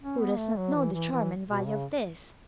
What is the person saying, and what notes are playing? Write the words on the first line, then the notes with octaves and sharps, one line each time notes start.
Who does not know the charm and value of this?
C#4
B3
A3
F#3
E3
E3
E3
B2
C#3